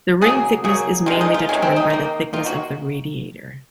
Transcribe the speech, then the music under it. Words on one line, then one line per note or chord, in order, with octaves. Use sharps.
The ring thickness is mainly determined by the thickness of the radiator.
C#3 F#3 A#3 G#4
C#3 F#3 A#3 G#4
C3 D#3 G#3 F4
D#4
F4
C3 D#3 G#3 C#4
C4
D#4
D#3 A#3
D#3 A#3 F4
F#4